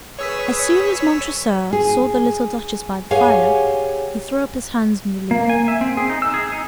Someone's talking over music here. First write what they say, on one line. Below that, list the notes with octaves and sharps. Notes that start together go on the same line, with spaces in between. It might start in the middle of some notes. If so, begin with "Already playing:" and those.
As soon as Montresor saw the little Duchess by the fire, he threw up his hands in relief.
G#4 B4 C#5 E6 B6
G#4
G4 G#4 C#5 F5 F#5 G#5
A#3
G#5
E5
C4
G#4
D#4
E6
G#4
D#4